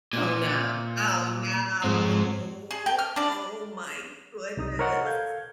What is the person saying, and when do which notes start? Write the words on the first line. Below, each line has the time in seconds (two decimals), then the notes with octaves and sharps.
Oh no oh no. Oh my goodness.
0.13 A#2
1.84 G#2 F3 G#3 C4
2.71 G#4
2.86 G5
2.99 F6
3.16 D4 D5
4.57 C2 D#4 D#6
4.79 A#4 C5 C#5 D#5 F#5
5.04 A4 F5 G6 G#6